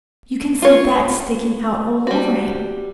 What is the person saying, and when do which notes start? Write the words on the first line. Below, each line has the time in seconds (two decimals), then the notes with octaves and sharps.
You can see THAT sticking out all over him.
0.62 F4 C#5
2.07 G3 F#4